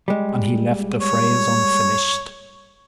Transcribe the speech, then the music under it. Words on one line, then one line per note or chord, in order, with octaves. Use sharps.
And he left the phrase unfinished.
G3 G#3
C#5